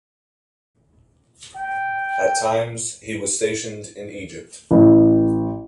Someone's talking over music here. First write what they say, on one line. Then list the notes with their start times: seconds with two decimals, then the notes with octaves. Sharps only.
At times, he was stationed in Egypt.
1.57 G5
4.71 A1